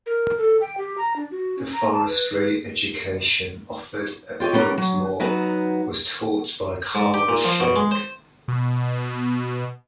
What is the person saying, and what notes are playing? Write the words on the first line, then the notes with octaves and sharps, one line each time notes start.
The Forestry Education offered at Biltmore was taught by Carl Schenk.
A#4
A4
G5
G4
A#5
D4
F#4
C#4
A#5
A5
B4
B4
F4 G4 C#5 D#5
G3 B3 C#4 A#4
F#3
F#3 B3 D#4 F#4
G#2
G4
A#2
F3
B2
G#3
C5
B2